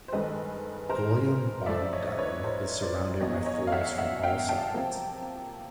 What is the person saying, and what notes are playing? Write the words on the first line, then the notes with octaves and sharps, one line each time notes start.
Golyam Bogdan is surrounded by forests from all sides.
C5
G2 D#3 G#3 A4 B4
A#4 C5
G#2 F3 A3 D5 E5
E5
C#5 D#5
B4 C#5
A#4 C5
C5 D5
E2 B2 F#3 A#3 C#5 D#5
C#5 D#5
F5
E5 F#5
E5 F#5
F5 G5
G5 A5
C3 F3 A#3